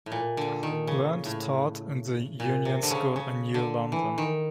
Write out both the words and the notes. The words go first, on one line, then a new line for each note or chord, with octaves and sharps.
Learned taught in the Union School in New London.
A2
A#2
D3
D#3
C#3
A2
A#2
C3
D3
C#3
C#3
D3
E3
D#3